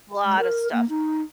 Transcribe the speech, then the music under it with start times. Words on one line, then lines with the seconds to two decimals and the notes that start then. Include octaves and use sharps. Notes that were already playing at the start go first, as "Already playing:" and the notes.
Lotta stuff.
0.24 G#3
0.39 A#4
0.72 A#3
0.89 D#4